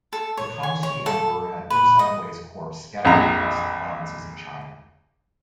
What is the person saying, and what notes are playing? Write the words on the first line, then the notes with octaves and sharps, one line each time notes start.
The Kangxi Emperor had Wu Sangui's corpse scattered across the provinces of China.
A4
C#5
G#5
C#5
A4
B4
D#5
A#1 F2 A#5